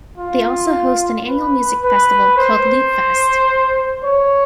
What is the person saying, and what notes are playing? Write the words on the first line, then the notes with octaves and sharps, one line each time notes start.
They also host an annual music festival called "Lutefest".
F4
B4
B4
C5
C#5